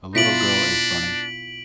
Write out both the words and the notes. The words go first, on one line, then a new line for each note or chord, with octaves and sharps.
A little girl is running.
B2 D4 E4 F4 B6 D7 F#7